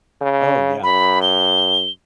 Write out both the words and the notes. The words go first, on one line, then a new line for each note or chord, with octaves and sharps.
Oh, yeah.
C#3
F#2 B5
G7